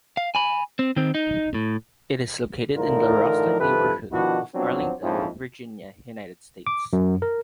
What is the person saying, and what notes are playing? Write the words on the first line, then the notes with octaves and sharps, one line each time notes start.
It is located in the Rosslyn neighborhood of Arlington, Virginia, United States.
F5
G#5 B5
C4
D#3 C4
D#4
A2
A2 D3 E3 D#4 F4 A#4
G2 C3 D#3 F3 A4 B4
B2 D#3 F3 D4 E4 F#4
F3 F#3 B3 C4 D4 F#4
A#1 F2 G#2 F3 C#4 E4
D6
F#2
A#4